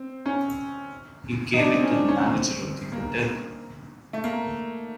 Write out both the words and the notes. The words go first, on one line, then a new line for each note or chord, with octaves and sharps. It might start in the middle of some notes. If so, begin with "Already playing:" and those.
He gave it to the manager of the hotel.
Already playing: C4
C#4
D#4
D4
C4
C#4
D4
C#4
C4
A#3
A3
A#3